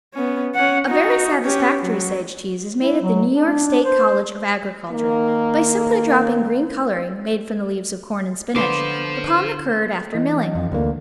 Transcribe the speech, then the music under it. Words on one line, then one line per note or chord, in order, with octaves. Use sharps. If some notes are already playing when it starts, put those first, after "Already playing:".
A very satisfactory Sage cheese is made at the New York State College of Agriculture by simply dropping green coloring, made from the leaves of corn and spinach, upon the curd, after milling.
B3 C#4
C#4 F#5
D#4 F#4
C#4 G4
F#3
E4
F#3
D4
C5
D#3 A#3
D3 B3 C5 F5 C6 D6
E3 D#5
F2
D2 A#3